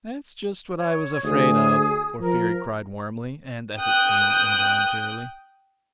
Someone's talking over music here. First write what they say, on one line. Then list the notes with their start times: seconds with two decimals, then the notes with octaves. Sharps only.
"That's just what I was afraid of!" Porfiry cried warmly and, as it seemed, involuntarily.
0.77 C#5
1.24 D2 G#4 D#6
2.20 F3 A#4
3.78 G5 D#6 F#6 G6